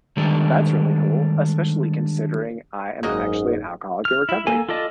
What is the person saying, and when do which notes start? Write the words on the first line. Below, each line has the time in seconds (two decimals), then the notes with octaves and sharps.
that's really cool, especially considering I am actually an alcoholic in recovery.
0.17 D3 D#3 G3 G#3 D4
3.03 F#1 G#2 A#3 F#4 G#4 D#5
4.05 F6
4.29 E4
4.47 A#3 A4 G#5
4.69 F4 A4 D5 D#5 A5